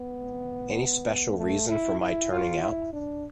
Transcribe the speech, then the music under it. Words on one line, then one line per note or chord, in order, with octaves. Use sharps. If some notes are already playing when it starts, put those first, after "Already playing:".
Any special reason for my turning out?
Already playing: B3
A3
E4
E4
F4
E4
D4